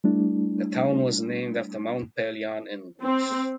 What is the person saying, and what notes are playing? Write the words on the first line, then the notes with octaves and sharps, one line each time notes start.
The town was named after Mount Pelion in Greece.
G3 A3 D4 E4
C4